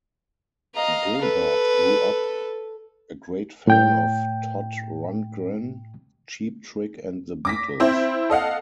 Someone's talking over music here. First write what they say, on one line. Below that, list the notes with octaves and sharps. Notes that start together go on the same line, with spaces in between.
Gilbert grew up a great fan of Todd Rundgren, Cheap Trick and The Beatles.
D#5 F5 A#5
A4 B4
A2 G5 G6
D6 A#6 B6
C4 E4 C5 E5
A4 D#5 F5 F#5